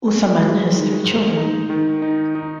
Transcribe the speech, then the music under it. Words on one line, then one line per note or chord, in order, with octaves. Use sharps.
Uthaman has three children.
G#3
G#3
D#3
G#2
D#4
D#3
D#4
D#4